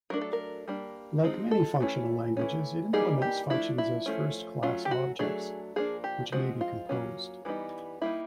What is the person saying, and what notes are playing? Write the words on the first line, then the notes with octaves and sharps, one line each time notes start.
Like many functional languages, it implements functions as first-class objects, which may be composed.
F#3 A3 D4 A#4
A4
A#4
G3 A#3 D4
F3 G#3 C4 D#4
A4
E3 A3 C#4
E3 A3 C#4
E3 G3 A#3 D#4 G#4
G4
F3 A3 D4 E4
E4
F3 A3 C#4
F#3 A3 C#4 F4
G4
F#4
F#3 A3 D4 G#4
F3 A#3 D4 G#4
G4
F3 G#3 C4 F#4
F4
F#3 A#3 C#4
E3 G3 B3 D#4
G3 A#3 D#4 E4